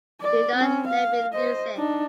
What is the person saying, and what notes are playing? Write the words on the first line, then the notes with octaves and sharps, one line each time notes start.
Do not let me lose it.
D5
C4 C#4
F5
C5 D#5
D4 D#4